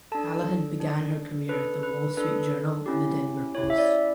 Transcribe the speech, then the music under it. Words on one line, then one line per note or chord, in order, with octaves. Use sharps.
Callahan began her career at the Wall Street Journal and the Denver Post.
D4 A4 A5
D4 A4
D4 A4 B4
B4
D4 A4 B4
C#4 E4 G4
C#4 E4 G4 C#5
E5
D5